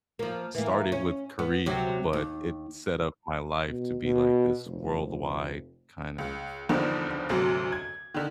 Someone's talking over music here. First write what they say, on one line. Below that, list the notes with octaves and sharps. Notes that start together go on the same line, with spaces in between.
started with Korea, but it set up my life to be like this worldwide kind of, you know, uh,
F3 A#3
E3 A#3
C#4
B3
C3 F#3 G3
D#2
B2
B2
F1
C#2
E2 G2 D3 D#3 F3 D#4
G#1 D2 C3 F#3
G#6
D3 D#3